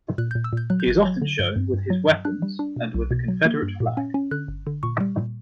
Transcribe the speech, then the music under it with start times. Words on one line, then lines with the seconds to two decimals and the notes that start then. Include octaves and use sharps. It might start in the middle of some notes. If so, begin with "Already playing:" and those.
He is often shown with his weapons and with the Confederate flag.
0.18 A#2 F#6
0.31 G6
0.35 A#2
0.44 E6
0.53 A#2 G6
0.70 F#3 F#6
0.80 G6
0.87 G1 F#6
1.05 F#3
1.22 D3
1.39 G2
1.56 G2
1.74 G2
1.90 F#3
2.08 G2
2.25 D4 F#6
2.42 G3
2.59 D4
2.76 B2
2.94 B1
3.11 B2
3.28 F#3
3.45 A#3
3.62 G2
3.80 A#2
3.97 C#4
4.14 C#4
4.31 D3 F#6
4.48 G1
4.67 D3
4.83 A#2 C#6
5.00 G3
5.18 A#2